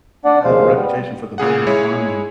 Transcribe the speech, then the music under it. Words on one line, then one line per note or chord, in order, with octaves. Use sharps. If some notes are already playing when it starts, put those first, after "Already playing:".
had the reputation for the biggest army.
D4 D5 F#5
D#2 C#3 F3 G#3 C5 F5
G3 B3
A#2 C#3 G#4 F#5
G#3 E4 G#4 C#5